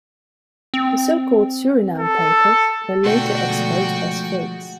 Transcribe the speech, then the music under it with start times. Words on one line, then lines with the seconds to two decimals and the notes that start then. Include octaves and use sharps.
The so-called Suriname papers were later exposed as fakes.
0.74 C4
1.98 A4
3.03 B2 D3 A3 D#4 F#4 G4 G5
3.49 F3 G#3 A3